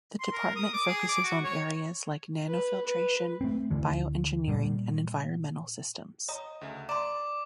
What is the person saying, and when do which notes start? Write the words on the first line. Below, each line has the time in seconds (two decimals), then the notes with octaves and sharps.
The department focuses on areas like Nanofiltration, Bioengineering and Environmental systems.
0.21 C6
0.33 A#4
0.56 D#6
0.73 D6
0.88 G#4
1.09 D6
1.24 F#4
1.44 C#5
2.47 B4
2.86 B4
3.41 A3 C4
3.70 D2 D3 E3
4.48 A#2 G3
6.28 C#5 D#5 A#5 D#6
6.61 D2 C#3 E5
6.89 D5 A#5 C6 D6